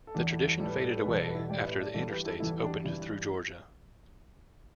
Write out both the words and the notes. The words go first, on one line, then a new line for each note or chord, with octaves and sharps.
The tradition faded away after the interstates opened through Georgia.
A4
E2 E3 G3 D4 G4
E4 A4
E4 A4
A2 G3 A4 B4
A4
B4
A4
B4
E2 B2 G3 A4
B4
A4
B4
E4 A4
A2 G3 D5 G5
B4 E5
A4 D5
G2 E3 G3 A4 D5
G4 B4
E4 A4
E2 E3 G3 E4 A4
D4 G4
G2 E3 G3 E4